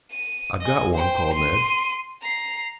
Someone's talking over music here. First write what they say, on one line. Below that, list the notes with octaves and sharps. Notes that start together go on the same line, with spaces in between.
"I've got one," called Ned.
D#7
D#5 G#5
C5 G5
C6 D#7
A#5 C7